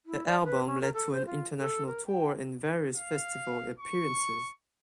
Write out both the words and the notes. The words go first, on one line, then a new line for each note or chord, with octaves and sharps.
The album led to an international tour and various festival appearances.
E4
D5
B4
C#4
A#4
A4
C5
F4
A4
A#4
G5
F5
C#6